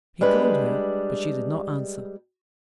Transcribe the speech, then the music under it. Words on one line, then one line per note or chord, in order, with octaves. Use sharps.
He called her, but she did not answer.
G3 G#3 D4 B4